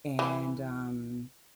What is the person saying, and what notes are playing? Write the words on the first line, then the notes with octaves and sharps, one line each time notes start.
and, um,
E3